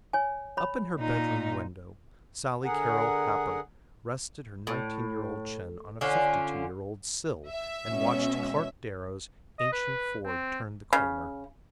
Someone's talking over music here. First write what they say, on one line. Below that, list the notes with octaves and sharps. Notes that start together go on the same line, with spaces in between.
Up in her bedroom window Sally Carrol Happer rested her nineteen-year-old chin on a fifty-two-year-old sill and watched Clark Darrow's ancient Ford turn the corner.
C#5 G#5
C#5 B5
A#2 D#4
D3 G#4 A#4 F#5
A2
D3 C#4 F4
E5
B2 G#3 C#4
D#5
B4
C4
C#3